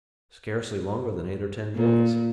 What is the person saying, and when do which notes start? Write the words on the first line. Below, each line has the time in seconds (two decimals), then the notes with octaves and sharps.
"Scarcely longer than eight or ten days."
1.75 A#2